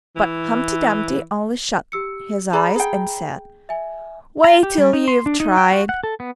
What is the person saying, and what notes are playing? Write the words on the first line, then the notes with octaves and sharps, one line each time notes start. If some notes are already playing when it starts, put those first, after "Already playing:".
But Humpty Dumpty only shut his eyes and said 'Wait till you've tried.'
E3
G4 E6 C#7
G#4 D5 A#5 B5
G#4 G5
E5 G#5
A#5
G4
G3
D#4
C6
D4
D#4
G5
F#4
F#5
A4
B3